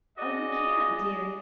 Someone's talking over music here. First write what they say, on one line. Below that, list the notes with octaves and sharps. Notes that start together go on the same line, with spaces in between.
'Oh, you can't, dear!
F#4 G#4 D5 D#5